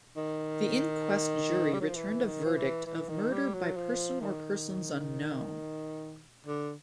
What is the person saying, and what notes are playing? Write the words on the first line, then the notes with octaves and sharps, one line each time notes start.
The inquest jury returned a verdict of murder by person or persons unknown.
D#3
G3
F#3
F3
E3
D#3
F3
E3
E3
D#3
G3
F#3
F3
D#3
D3